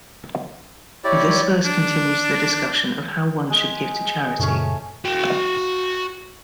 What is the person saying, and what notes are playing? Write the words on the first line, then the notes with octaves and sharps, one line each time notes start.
This verse continues the discussion of how one should give to charity.
E4 G4 C#5 D5
D4
G#3 G#4 G5
F#2 A#2 C#3 A3 C#4
F#4 G5